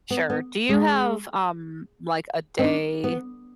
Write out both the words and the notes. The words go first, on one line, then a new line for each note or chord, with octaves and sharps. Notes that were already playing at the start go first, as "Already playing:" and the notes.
Sure. Do you have, um, like a day
B3
B3
G#3
C4
D4
B3